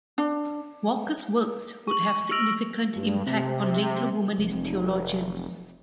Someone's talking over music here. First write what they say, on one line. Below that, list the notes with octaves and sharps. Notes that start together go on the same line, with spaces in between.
Walker's works would have significant impact on later womanist theologians.
D4
C#6 F#7
E6 F6 A#6 D7 F7 F#7
G2
C3
F1